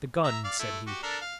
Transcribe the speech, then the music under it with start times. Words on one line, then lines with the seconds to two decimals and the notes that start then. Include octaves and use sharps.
"The gun!" said he.
0.24 E5 A#5
0.44 D5 F5
0.59 A3 E4
0.87 F#4 G4
1.03 D4 A4 A#4
1.21 F5